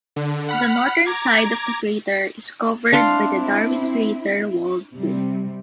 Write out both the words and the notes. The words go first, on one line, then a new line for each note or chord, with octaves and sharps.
The northern side of the crater is covered by the Darwin Crater walled plain.
D3
F#5 B5 F6
A#5 D6 G#6
C4 D4 E4 F5 C6
C3 G3